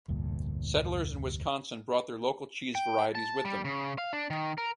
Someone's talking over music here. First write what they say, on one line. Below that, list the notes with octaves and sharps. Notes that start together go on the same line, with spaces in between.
Settlers in Wisconsin brought their local cheese varieties with them.
F1 D2 G2 A#2
G5
A5
G3
C#3
F5
D4
D#3
A#4